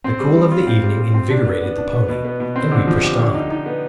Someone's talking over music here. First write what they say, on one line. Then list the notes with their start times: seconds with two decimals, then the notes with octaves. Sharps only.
The cool of the evening invigorated the pony, and we pushed on.
0.04 C4
0.20 G3
0.36 G3
0.52 F4
0.67 C4
0.83 G3
0.99 G3
1.14 C4
1.30 D4
1.46 B3
1.62 B3
1.78 D4
1.93 B3
2.09 B2
2.25 B3
2.40 B2
2.56 C4
2.72 D3
2.87 F3
3.03 G4
3.19 D3
3.35 D#4
3.50 D#4
3.66 B3